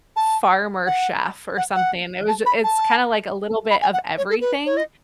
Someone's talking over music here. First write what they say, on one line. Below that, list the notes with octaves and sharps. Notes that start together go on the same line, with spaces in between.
farmer chef or something. It was j it's kinda like a little bit of everything.
A5
F#5
F#5
F#5
A5
B5
A5
B5
G#5
F#5
C#5
A4
B4
C#5
D#5